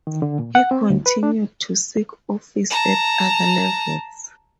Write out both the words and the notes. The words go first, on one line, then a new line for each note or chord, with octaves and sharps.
He continued to seek office at other levels.
D#3
D3
A#2
F#5
C4
D2
B4
D4
A5 A#5